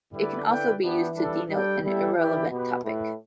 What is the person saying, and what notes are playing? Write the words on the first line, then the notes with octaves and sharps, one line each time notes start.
It can also be used to denote an irrelevant topic.
D3 G3 E4 B4 D5
E4 B4 D5 G5
E3 B3 D4 G4
G3 D4 A4
G3 D4 A4 G5
G3 B3 E4 A4 G5
E3 E4 G4 D5 G5
B2 B3 G4 B4
A2 A3 E4 B4